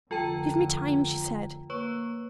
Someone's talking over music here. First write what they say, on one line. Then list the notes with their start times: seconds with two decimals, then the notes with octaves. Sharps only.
"Give me time," she said.
0.11 F1 D3 F4 A4 G5 A#5
1.70 A#3 B4 C#5 C#6